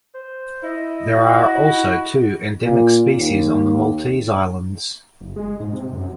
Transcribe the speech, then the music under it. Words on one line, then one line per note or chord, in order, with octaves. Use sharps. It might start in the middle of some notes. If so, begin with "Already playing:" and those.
There are also two endemic species on the Maltese Islands.
C5
E4 D#5 E5
F#4
E4
A#2
D#2
F#1
G#3
G#2
C3
F#2